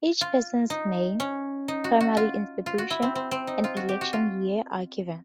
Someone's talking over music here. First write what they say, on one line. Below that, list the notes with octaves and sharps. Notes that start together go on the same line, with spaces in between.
Each person's name, primary institution, and election year are given.
F4
D#4
C#4
D#4
F#4
F#4
F4
F4
F#4
E4
C4
C4
C4
D#4
F4
F#4
G4
F#4
F4